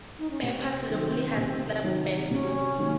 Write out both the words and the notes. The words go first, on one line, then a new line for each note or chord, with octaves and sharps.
Pepper's Lonely Hearts Club Band movie.
D#4
C#4
C3 C4
D#3
F#3
C3
D#3 F#3
C3 C#4
D#3 F#3 A#3